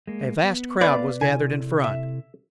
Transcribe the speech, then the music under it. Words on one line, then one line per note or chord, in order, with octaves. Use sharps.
A vast crowd was gathered in front.
G#3 A#3
B3
B3 A4 B4 D5 F5
C3 E4 A4 G#5
E5